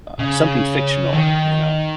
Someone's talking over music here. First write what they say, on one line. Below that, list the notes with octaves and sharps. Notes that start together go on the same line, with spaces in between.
uh, something fictional, you know.
C#3
D#3